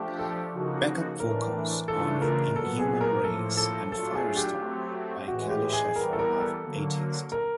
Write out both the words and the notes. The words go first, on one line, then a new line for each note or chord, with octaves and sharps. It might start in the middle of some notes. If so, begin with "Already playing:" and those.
Back-up vocals on "Inhuman Race" and "Firestorm" by Kelly Schaefer of Atheist.
Already playing: F3 A3 D4 G4
A4
C#3 F3 A#3 D#4 F#4
A2 E3 A3 D4 A#4
C#3 E3 A3 D4 F4 A4
A#4
A#2 F#3 B3 A4
G#4
A#4
A2 F3 A#3 A4
A4
F#3 A3 D4 F4 A4
G#4
G4
F#3 A3 C4
A2 E3 G#3 F#4
G4
G#4
E3 G3 B3 A#4
A4
A#4
A4
D3 F#3 A#3
A#4